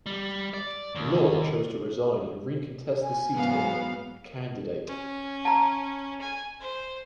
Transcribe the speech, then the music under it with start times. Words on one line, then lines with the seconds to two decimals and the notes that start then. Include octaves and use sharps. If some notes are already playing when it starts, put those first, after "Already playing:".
Law chose to resign and recontest the seat as an candidate.
0.06 G3
0.54 D5
0.95 D#2
3.03 G#5
3.35 E2 G#2 F#3 B3 F5
4.88 C#4
5.45 A5 A#5
6.21 G#5
6.60 C5